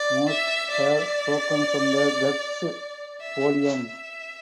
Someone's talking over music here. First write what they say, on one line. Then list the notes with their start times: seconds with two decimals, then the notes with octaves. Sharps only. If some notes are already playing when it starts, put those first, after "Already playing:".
Most have spoken from the club's podium.
Already playing: D5
0.30 E5
0.71 D5
3.21 E5
3.63 E5